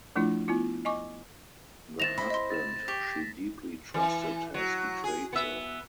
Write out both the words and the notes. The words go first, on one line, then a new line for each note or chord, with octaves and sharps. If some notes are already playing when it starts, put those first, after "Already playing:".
The husband she deeply trusted has betrayed her.
F3 A3 D4 E4 F4
B3 E4 F4
D#5 G#5 C#6 D6
D#3 C4 E4 A6 A#6 E7 F7
C4 E4 C5 B5
D#5 C6
A6 E7
G4 C#6 B6
E3
F#3
G#4
B3 E5